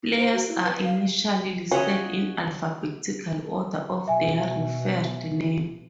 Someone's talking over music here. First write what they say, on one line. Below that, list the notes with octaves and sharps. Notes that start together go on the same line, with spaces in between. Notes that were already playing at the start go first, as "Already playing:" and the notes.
Players are initially listed in alphabetical order of their referred name.
C5
F#4
E4
B4
F5
C#4 F4 F#4 C#5 D#5 E5
B2 E5 G#5